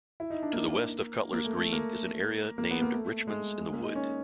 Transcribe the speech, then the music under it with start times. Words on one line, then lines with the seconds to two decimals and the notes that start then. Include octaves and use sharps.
To the West of Cutler's Green is an area named 'Richmond's in the Wood'.
0.20 E4
0.30 D#4
0.43 D4
0.53 A#3
1.33 A#3
1.44 A3
1.57 A3
1.73 A#3
2.58 A#3
2.71 B3
2.81 A#3
2.93 A3
3.27 G#3
3.61 G#3
3.73 A#3
3.83 D#4
3.95 C#4